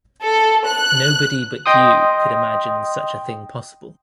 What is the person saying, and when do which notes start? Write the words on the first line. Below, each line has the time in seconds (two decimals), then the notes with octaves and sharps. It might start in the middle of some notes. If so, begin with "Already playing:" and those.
Nobody but you could imagine such a thing possible.
0.22 A4
0.66 F#6
1.66 D#5 G5 C6 D#6